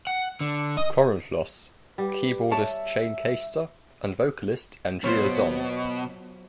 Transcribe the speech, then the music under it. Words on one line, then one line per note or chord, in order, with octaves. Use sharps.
Corenflos; keyboardist Shane Keister, and vocalist Andrea Zonn.
F#5
D3
D#5
G3 B4
C#5 E5 A5
B2 F#3 F4 C5